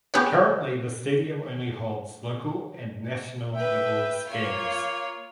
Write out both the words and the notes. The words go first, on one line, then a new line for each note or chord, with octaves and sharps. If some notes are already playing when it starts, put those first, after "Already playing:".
Currently the stadium only holds local and national levels games.
B3 G4 G#4 B4 C#5
B4 E5 G5
A#3 F4 C#5